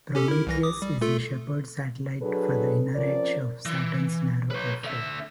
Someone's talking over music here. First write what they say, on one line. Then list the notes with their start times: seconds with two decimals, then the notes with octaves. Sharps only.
Prometheus is a shepherd satellite for the inner edge of Saturn's narrow F Ring.
0.15 C#4 G4 A4
0.28 E4 A#4
0.47 C2 E3 A#6
0.63 D6 D#6
0.82 G3
1.01 A3 F4 A4
2.21 F#3 D4 G#4 A4 B4
2.94 F3 C4 C#4 A#4 D5
3.65 E3
4.50 B4 C#5
4.84 D3 E5